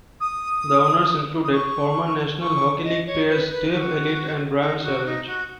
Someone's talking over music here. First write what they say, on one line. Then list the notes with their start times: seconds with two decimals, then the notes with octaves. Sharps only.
The owners included former National Hockey League players Dave Ellett and Brian Savage.
0.20 D#6
1.44 D#6
1.52 C#6
2.41 C#6
2.84 D#5
3.06 C#5
3.28 B4
3.50 B4
3.72 F#4
4.60 D#4
4.77 D#4
4.83 F#4
5.05 D#4
5.26 F#4